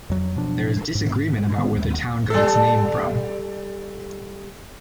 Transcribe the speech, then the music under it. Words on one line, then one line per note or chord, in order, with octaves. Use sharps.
There is disagreement about where the town got its name from.
F2 F#3
B2 F3 D4
G#2
A2 D#3 B3
D#2
G3 A4